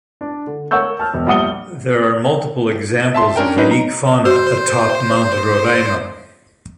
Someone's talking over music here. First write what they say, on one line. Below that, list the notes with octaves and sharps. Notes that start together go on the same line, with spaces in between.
There are multiple examples of unique fauna atop Mount Roraima.
D4
D3
A#4 C#5 F#5 C#6 E6 G6
A5 F6
E1
A#1 G3 F#5 D#6 C#7 G7
E5 A5 C6
C#4 D4 A#4 G5
F#3 C#4 D#4 B4 D#5
A#5
F#4 C5